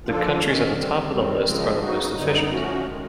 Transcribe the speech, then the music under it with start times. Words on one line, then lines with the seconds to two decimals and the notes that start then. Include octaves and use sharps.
The countries at the top of the list are the most efficient.
0.05 F3 A#3 D4 F4 A4
0.40 G#2 D#3 G#3 C#4
0.74 D3 G3 C4
1.10 F#2 D#3 G3 C4
1.46 C#3 F3 G#3 C4
1.80 C#3 F#3 B3 D#4 F#4
2.16 F#2 D3 G3 B3 D#4
2.51 F3 A3 C#4 F#4
2.87 D#3 G#3